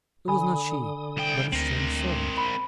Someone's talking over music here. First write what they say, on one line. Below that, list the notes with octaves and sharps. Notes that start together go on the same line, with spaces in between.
It was not she, but a strange servant.
D3 G#5 B5 D#6
C2 G5
D2 C4 A#4
B5